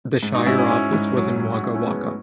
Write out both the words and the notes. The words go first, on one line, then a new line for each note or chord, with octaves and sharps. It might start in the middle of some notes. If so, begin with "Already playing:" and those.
The shire office was in Wagga Wagga.
G#2
D#4 F#4
G#2 C#4 E4
C#4 E4
G#2 C#4 E4
G#2
F#3
F#3
F#4
G#2 C#4 E4
A3 C#4
G#2 G#3 B3
A3